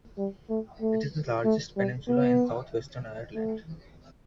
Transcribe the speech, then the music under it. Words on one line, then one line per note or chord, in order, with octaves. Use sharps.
It is the largest peninsula in southwestern Ireland.
G3
A3
A3
A3
G3
B3
A3